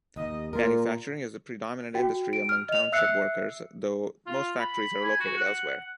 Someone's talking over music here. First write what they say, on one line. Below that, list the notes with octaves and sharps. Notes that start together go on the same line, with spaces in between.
Manufacturing is the predominant industry among township workers, though most factories are located elsewhere.
D#2 D#5
A#2 F4 A#4
F#4 G5
D7
F6
D#5 F7
E5 E6 F#6 C7 C#7
F4
B5
G#5
F#4
F#5